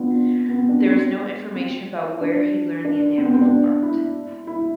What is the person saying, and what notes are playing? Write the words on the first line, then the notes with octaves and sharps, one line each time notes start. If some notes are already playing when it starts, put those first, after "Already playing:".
There is no information about where he learned the enameling art.
Already playing: B3 C4 D4 F4
B3
C4
D4
C4
C4
C4
D4
D4
C4
B3
C4
D4
E4
E4